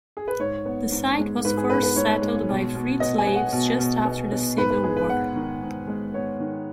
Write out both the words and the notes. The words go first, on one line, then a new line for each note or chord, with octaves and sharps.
The site was first settled by freed slaves just after the Civil War.
G#4
B4
G#2 C#5
B3
G#2
G#3
G#2 B4
G#4
B3 B4
B4
G#2 C#5
G#3
B2
B2
B3 D#5
G#5
B3
F#5
B2
B2
B3
B3
G#2 B4
B4
G#3 G#4
B4
B3 F#5
D#3
G#2
G#3
B3 C#5
D#3